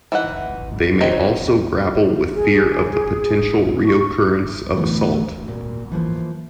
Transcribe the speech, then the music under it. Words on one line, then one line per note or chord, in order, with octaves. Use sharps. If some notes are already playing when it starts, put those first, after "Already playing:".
They may also grapple with fear of the potential reoccurrence of assault.
E3 D#4 F#5
C4 D#4 F#4 C5 C#5
G#4
C#6
A2 D3 E3 A3 B3
A#2 F#4
E3 F3 A#3